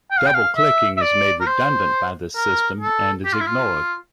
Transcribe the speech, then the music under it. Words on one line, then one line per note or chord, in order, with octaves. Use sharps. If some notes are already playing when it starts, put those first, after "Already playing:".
Double-clicking is made redundant by this system and is ignored.
G5
F5
G5
F5
E5
E5
D5
A#4
C5
A#4
A4
G4
F4
E4
F4